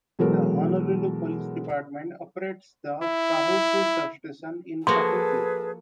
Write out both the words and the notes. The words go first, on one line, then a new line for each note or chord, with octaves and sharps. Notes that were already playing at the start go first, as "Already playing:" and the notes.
The Honolulu Police Department operates the Kahuku Substation in Kahuku.
B2 E3 F#3 G#3 A4 A#4
E4
F3 A#3 F#4 G#4 A4 B4 C6